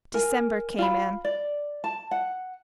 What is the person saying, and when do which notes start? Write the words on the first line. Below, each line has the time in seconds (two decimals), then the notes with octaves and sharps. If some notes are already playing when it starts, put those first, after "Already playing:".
December came in.
0.14 A#4 G#5
0.78 F4 G5 B5
1.25 D5
1.84 A5
2.11 F#5